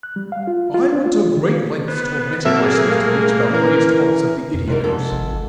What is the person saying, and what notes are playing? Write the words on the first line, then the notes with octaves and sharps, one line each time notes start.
I went to great lengths tormenting myself to reach the highest arts of the idiot house.
F#6
G3
F5
F4
F4
D4
F4
D#3
B3 C5
A#2 F#3 A#3 C4 A4 E5
G#4
G3 A3 F5
E3 C#4 A#4
F2
G#2 C3 G3 A#4
F2 G#2 A4
G#1